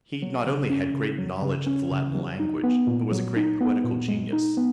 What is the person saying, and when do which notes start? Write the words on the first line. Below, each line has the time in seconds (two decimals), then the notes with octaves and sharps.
He not only had great knowledge of the Latin language, but was a great poetical genius.
0.22 F#3
0.46 C#3
0.70 C#4
0.94 C#3
1.19 F#3
1.42 C#3
1.66 C#4
1.91 C#3
2.15 F#3
2.40 D#4
2.64 B3
2.87 A#2
3.11 F#3
3.36 D#4
3.61 B3
3.84 A#2
4.08 G#3
4.33 D#4
4.57 B3